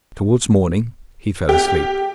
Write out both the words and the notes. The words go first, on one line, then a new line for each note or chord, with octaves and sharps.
Towards morning he fell asleep.
G4